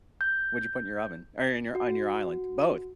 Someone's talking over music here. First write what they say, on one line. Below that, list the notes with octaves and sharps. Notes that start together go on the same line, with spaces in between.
What'd you put in your oven or in your on your island? Both,
G6
F#4